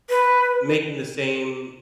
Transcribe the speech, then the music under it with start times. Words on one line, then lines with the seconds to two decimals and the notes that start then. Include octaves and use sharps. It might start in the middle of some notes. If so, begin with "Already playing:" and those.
making the same
0.10 B4